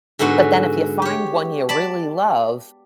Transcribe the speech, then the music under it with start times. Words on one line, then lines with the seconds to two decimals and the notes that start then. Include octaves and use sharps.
but then, if you find one you really love,
0.19 G#2 D3 B3 F#4 C6
1.02 G4 C#5
1.69 D5 A5 B5